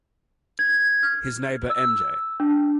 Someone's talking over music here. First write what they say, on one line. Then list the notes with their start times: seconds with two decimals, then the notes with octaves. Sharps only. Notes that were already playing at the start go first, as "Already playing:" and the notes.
His neighbor M. J.
0.59 G#6
1.03 F6
1.70 E6
2.40 D4